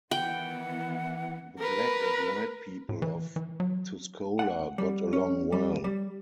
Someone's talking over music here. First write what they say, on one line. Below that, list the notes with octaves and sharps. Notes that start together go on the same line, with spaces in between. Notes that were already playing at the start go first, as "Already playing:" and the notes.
The black and white people of Tuscola got along well.
D#3 E3 B3 F#5 G5
A#4 B4
A2
E3
E3
F#3
F#5
G3
C#4
G3
G3